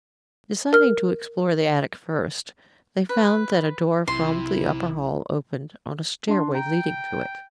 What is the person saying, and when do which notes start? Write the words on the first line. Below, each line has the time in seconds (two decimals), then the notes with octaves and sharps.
Deciding to explore the attic first, they found that a door from the upper hall opened on a stairway leading to it.
0.73 A#4 F6
3.09 B4
4.08 B1 C3 E4 C6
6.28 D4 C6
6.55 G5 A#5